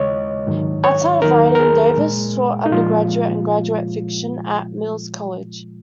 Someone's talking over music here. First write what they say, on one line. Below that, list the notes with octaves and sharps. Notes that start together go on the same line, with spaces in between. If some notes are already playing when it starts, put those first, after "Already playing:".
Outside of writing, Davis taught undergraduate and graduate fiction at Mills College.
Already playing: D#2 C#3 G#3 C#5 D#5
G#2 D#3 F#3
C#5
D#2 D#3 F#3 A#4
A#4
G#4
A#2 G#3
D#4
A#2 F3 G#3 F4